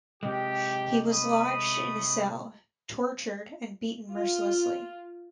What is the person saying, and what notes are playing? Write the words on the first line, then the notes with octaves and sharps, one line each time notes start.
He was lodged in a cell, tortured and beaten mercilessly.
C3 G#3 G4
A3 B5 D#6
F4